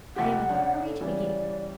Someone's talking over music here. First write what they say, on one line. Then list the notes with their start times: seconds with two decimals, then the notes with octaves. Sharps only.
I am in a hurry to begin.
0.16 F1 F3 G4 F#5
0.49 C#3 D4
0.86 A4
1.00 C#3 E3 G3 D5